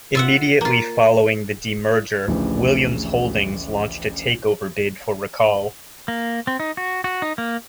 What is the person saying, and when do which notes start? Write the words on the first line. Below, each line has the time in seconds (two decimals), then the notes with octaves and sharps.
Immediately following the demerger, Williams Holdings launched a takeover bid for Racal.
0.15 F4 E5 F#5
0.61 A#3 F4
2.28 A1 D2 C#3 E3 F3
6.08 A#3
6.47 C4
6.60 D#4
6.77 F#4
7.04 F#4
7.22 D#4
7.38 A#3